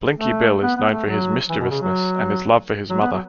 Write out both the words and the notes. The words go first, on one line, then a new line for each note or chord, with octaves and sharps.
Blinky Bill is known for his mischievousness and his love for his mother.
A3
B3
B3
A3
F#3
E3
B2
C#3
F#3
F#3
B3
F#3